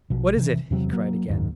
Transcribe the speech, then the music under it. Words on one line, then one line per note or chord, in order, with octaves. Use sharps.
"What is it?" he cried again.
A#1 B2
C3 E3
E2 C3 F#3
F#3 A#3
F#1 D#2 G#2 D#3